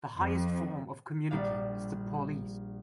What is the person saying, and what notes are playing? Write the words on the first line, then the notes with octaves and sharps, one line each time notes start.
The highest form of community is the polis.
F2
A#1 G3 D4 F5